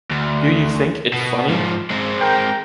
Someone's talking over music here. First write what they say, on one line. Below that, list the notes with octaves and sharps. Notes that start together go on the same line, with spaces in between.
Do you think it's funny?
D2
B2
G#2 F3
G#3 C4
A#4 G5